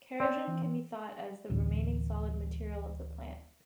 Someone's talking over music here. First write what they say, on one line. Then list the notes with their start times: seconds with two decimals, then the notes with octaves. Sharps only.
Kerogen can be thought of as the remaining solid material of the plant.
0.20 C4 D5
0.47 E3
1.50 D1 A1